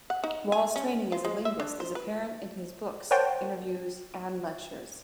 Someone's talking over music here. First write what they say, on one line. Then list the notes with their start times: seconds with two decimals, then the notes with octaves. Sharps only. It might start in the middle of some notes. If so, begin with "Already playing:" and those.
Wall's training as a linguist is apparent in his books, interviews, and lectures.
0.10 F#5
0.24 D#4
0.52 G#5
0.76 C#4
1.12 F4
1.25 G#3
1.45 E5
1.60 D4
1.80 C5
1.95 B4
3.11 A#4 C5 C#5 F#5 G5 A5